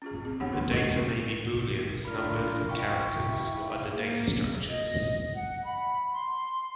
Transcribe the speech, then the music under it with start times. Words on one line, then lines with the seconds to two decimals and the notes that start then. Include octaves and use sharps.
The data may be booleans, numbers, characters, or other data structures.
0.02 C#4 F4 G#4
0.22 C4 G#4
0.40 B3 D4 G4 G#4 C#5 F#5
0.52 D#3 F4 A4 B4 F#5 C6
0.71 D#4 G4 A4 D#5 C#6
0.83 G#3 A#3 C#4
2.05 D4 F4 A#4 B5 F6
2.69 E4 F5 G5 C#6
3.88 A#3 G#4
4.69 D#5
5.33 F#5
5.64 B5
6.11 C6